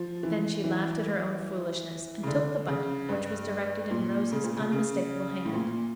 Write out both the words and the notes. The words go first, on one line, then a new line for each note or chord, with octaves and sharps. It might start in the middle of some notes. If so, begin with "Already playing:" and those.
Then she laughed at her own foolishness, and took the "bundle," which was directed in Rose's unmistakable hand.
Already playing: F3
E3
E3
C#3
D3
C#3
G2
A#2
C#3
A#2
C#3
C#3
A2
A#2